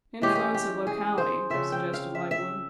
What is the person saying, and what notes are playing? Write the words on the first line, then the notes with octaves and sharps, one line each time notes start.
'Influence of locality,' suggested Lightwood.
E3 G#3 C#4 G4
G#4
G4
G4
G#4
C5
C#3 F3 C4 E5
G5
F5
E5
E5